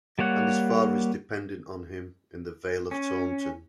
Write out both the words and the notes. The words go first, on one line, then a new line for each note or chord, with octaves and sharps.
And his father is dependent on him in the Vale of Taunton.
G3 A#3 C#5 F#5
C#4